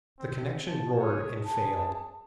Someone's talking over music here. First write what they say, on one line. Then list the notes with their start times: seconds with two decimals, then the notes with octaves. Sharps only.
The connection roared and failed.
0.19 C4
0.67 A5
0.97 G#4 C#5
1.44 G#4 A5